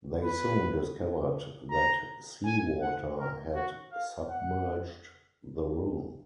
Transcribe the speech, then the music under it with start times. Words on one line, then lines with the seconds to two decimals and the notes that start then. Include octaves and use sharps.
They soon discovered that seawater had submerged the room.
0.24 B4
1.71 A#5
2.45 G#5
2.81 F#5
3.19 A#4
3.55 F#4
3.92 F5
4.29 F#5